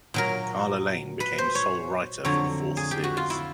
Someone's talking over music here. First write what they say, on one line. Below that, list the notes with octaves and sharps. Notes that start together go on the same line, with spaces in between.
Carla Lane became sole writer for the fourth series.
A#2 F#3 A#4
B4
C5
C#5
F2 D3 F#3 C#5
G#4
G4
F#4
F4
E4